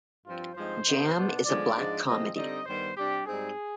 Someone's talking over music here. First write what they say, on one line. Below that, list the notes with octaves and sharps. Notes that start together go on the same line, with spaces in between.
"Jam" is a black comedy.
G2 F3 C4 F4
G2 F3 G#3 C4 D#4 C5
C3 D#3 B3 D#4
B2 B3 D4
D3 F3 G#3 B3 D#4 D5
G#2 F3 G#3 D4
C3 F3 G#3 C4 D#4 D#5
D3 G3 C4 D#4 D#5
G2 D#3 G3 B3 C5
C3 G3 D4 G4
G#2 G3 C4 D#4 G#4